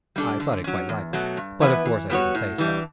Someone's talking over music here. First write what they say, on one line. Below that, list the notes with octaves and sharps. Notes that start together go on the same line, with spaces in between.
I thought it quite likely, but, of course, I didn't say so.
G3 D4 A4
D3
F#3 C#4
E2
B2 F#3 A3
G2
E3 B3 E4 B4
E3
G3 B3 F#4 C#5
A2
E3 G3 D4